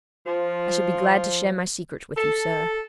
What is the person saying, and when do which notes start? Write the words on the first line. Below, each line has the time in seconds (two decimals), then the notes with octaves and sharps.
I shall be glad to share my secret with you, sir.
0.26 F3
2.17 A4